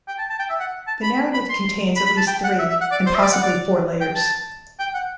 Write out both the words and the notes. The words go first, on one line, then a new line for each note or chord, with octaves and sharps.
The narrative contains at least three and possibly four layers.
G5
A5
A5
G5
E5
F#5
A5
B5
B5
C6
B5
B5
A5
G5
F#5
E5
E5
F#5
D5
C5
E5
D5
F#5
D5
G5
A5
G5
F#5